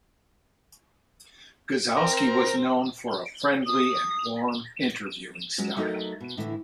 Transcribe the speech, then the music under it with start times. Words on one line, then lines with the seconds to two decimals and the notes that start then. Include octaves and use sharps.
Gzowski was known for a friendly and warm interviewing style.
1.97 C4 A#4
3.66 D#6
5.58 F#3 G#3 C#4 F4
5.76 F#3 A3 D#4 F4 A4 A#4
6.21 B2
6.37 A2 D3 E3 A3 E4